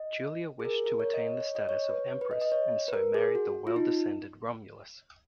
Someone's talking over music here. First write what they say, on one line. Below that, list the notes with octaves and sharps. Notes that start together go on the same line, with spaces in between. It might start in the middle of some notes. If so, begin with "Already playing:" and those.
Julia wished to attain the status of Empress, and so married the well-descended Romulus.
Already playing: D#5
G#4
A#4
A#4
C#5
D#5
C#5
C#5
D#5
C#5
C#5
B4
B4
D#5
D#5
C#5
B4
A#4
G#4
F#4
F4
D#4